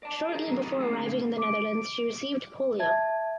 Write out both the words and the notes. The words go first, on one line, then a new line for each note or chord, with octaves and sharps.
Shortly before arriving in the Netherlands she received polio.
D5 A5
G#4 A#4
B2 D#3 F#3 C4
D#4 E4 G#4 A4 B4
A3 C4 G#4 C5
A#2 D3
D6 D7
E5 A5 G#6